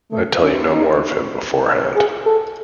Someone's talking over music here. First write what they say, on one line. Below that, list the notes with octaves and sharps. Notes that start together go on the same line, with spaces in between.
I tell you no more of him beforehand.
A3
C#4
D#4
G#4
A4